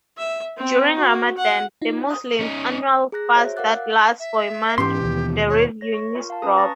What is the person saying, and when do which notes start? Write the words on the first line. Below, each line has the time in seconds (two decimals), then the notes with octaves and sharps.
During Ramadan, the Muslims' annual fast that lasts for a month, the revenues drop.
0.17 E5
0.57 C4
0.96 F#4
1.37 F#5
1.81 D#4 F4
2.10 D#6
2.41 C#4 D#4
3.12 G#4 A#5 F#6 A#6
3.35 F#4 C5 C#5 E5
3.56 A#4 F5 F#5 D6 F#6 A6
4.20 E5
4.78 E2 G#2 C#4 G4 C6
5.01 D#2 B2
5.49 C#5
5.81 C#5 A#6
5.94 C#6
6.16 F4 A#4
6.30 F5 A5
6.42 C#4 B4 A5 A#5 D#6
6.57 A5 A#5 C#6 A6 A#6